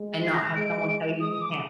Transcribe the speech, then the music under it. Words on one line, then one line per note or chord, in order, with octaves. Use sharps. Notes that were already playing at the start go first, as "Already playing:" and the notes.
and not have someone tell you you can't.
Already playing: G#3
C7
A#6
A#6
G#3 D7
G#3 D#6
D#6
D6